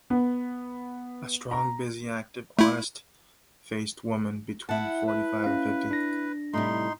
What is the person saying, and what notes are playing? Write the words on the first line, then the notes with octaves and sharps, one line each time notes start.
A strong, busy, active, honest-faced woman between forty-five and fifty.
B3
A#5
A3 E4
E4 F#5 A5
B4
C#4 F5
D4 A#6
A2 C3 G3 D#4 C6